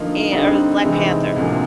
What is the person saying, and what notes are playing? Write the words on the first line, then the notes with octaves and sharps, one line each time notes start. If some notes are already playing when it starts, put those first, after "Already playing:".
and or Black Panther.
Already playing: D3 F3 A#3 D#4
D3 G3 C4 D#4
C3 E3 G#3 C4 D#4
D2 C3 F3 A#3